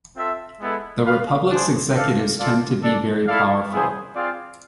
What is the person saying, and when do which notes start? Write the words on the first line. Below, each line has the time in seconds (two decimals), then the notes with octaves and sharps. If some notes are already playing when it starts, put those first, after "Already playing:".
The republics' executives tend to be very powerful.
0.15 C4 F4 A4 E5
0.60 G#3 B3 E4 A4
1.04 F4 B4 F5
1.49 D4 G#4 C5
1.93 D4 A4 D5 F5
2.38 F4 A4 D5 F5
2.82 D4 A4 D5
3.26 E4 A4 D5 F5
3.71 B3 E4 G#4 C5
4.15 C4 F4 G#4 D5 F5